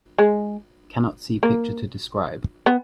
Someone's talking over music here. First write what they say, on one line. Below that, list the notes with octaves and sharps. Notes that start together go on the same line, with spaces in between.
Cannot see picture to describe.
G#3
A#3
B3